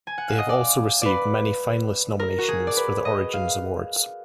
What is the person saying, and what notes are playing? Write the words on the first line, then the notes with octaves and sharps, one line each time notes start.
They have also received many finalist nominations for the Origins Awards.
G#5
F#5
F5
D#5
D5
B4 D5
A#4
F#4
G#4
D5
B4
D#5
F5